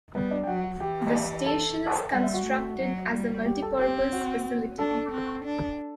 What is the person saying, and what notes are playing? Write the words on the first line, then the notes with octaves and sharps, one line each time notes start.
The station is constructed as a "Multi-Purpose Facility".
G3 B3 B4
D4 D5
G5
F#3 F#4 F#5
F#4 F#5
E3 G4 G5
A4 A5
G3 F#5
E5
F#4 F#5
A3
F#3
G3
G4 G5
A4 A5
C4 G4 G5
F#4 F#5
D4 A4 A5
C4
D4